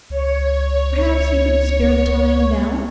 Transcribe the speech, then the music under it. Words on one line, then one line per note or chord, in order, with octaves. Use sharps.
Perhaps you could spare the time now?'
C#2 C#5